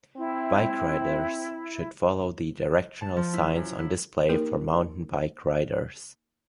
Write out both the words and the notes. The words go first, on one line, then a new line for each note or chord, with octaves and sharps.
Bike riders should follow the directional signs on display for mountain bike riders.
C4 E4
A5
F3
E4
F#2
E4
A#3 D#4 G4 A#4